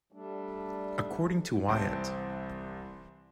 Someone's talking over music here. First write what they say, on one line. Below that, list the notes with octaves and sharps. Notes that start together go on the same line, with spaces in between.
According to Wyatt.
G3 A3 D4
C2 E3 C4 C5 A5 D7